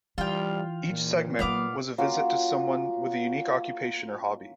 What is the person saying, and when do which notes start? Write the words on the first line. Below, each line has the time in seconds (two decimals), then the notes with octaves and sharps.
Each segment was a visit to someone with a unique occupation or hobby.
0.18 E3 G3 F4 G5
0.87 A#2
1.39 F#3 A#3 B3 F5 D6
1.98 A#3 C#4 F4 F#4